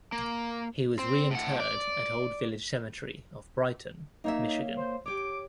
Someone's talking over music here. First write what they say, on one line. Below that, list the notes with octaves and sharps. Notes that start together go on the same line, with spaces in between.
He was reinterred at Old Village Cemetery of Brighton, Michigan.
A#3
C4
A2 F#5
D5
A#3 D#4 C#5 E5
C5
G4 C#5 D6